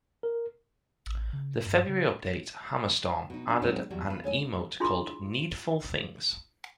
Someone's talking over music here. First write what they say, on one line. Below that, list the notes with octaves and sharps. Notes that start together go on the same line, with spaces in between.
The "' February update, "Hammer Storm", added an emote called "Knee-dful Things.
A#4
A1
C#3
G2
C#3
B2 D#4
D4 F#4
F#3 G#3 C4 C#4 D#4 B4
E2 F#3 G3
F4 B4
G#3 C#5 E5 G#5
D4 E4 F4 G#4 B5 C6